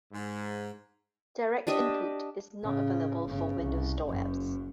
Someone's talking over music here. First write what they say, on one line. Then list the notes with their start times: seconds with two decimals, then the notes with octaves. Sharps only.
DirectInput is not available for Windows Store apps.
0.12 G#2
1.67 D4 G4 D#5 E5
2.63 A2 C#3
3.25 G1 C#3
3.59 C2
4.07 F#1 F#2